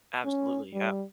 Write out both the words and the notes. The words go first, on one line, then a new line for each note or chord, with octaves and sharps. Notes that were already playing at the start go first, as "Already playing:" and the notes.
Absolutely, yeah.
C#4
G3